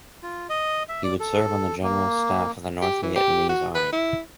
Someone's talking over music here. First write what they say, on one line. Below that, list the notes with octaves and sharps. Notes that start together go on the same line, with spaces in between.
He would serve on the general staff of the North Vietnamese army.
F4
D#5
E5
D5
A4
A#3
G4
E3
G4
F#4
B4
E4